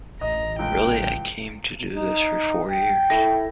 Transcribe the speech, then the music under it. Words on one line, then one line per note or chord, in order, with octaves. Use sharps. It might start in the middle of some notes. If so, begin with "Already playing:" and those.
Really, I came to do this for four years.
A1 D#5 A#5
C#2 G5
D#4
G5
E4 A4 A#6